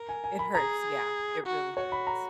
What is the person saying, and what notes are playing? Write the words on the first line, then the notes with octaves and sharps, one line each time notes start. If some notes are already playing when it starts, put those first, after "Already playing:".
It hurts, yeah, it really hurts.
Already playing: A#4
G#5
G#5
B5
G#4 A#5
F#4
F#4 C#5
B5
A#5